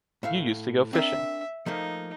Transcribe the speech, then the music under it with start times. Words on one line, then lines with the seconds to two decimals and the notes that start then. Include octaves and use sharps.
You used to go fishing.
0.23 A2 E5 F5
0.93 C4 D4 A#4 E5
1.66 F3 A3 A#3 D#4